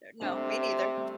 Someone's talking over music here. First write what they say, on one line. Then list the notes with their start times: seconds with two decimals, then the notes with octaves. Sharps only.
Uh, no, me neither.
0.21 C3 A3 D4
0.97 A3